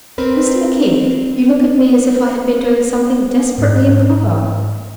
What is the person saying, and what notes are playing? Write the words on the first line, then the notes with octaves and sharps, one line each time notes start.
Mr McKeith you look at me as if I had been doing something desperately improper.
C4 A#4 B4
G#2